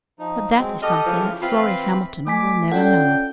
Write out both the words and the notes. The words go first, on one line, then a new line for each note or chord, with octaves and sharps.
But that is something Florrie Hamilton will never know.
F3 D#4
F#3 G#3 C4
G4 A4 D#5 F6
C#3 E3 F3
E3 C4 F4 B5
A3 G#5 D6 B6
C#4 F4 A4 D5 F#5 G5